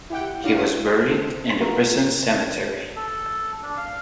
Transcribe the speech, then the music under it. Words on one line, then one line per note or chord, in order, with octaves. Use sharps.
He was buried in the prison cemetery.
E4 G4 F#5 G5
D4 E4 F#4 C#5 D5 F5
C4 A4
A3 B3 F4 F#4 A#4
A4
D4
F5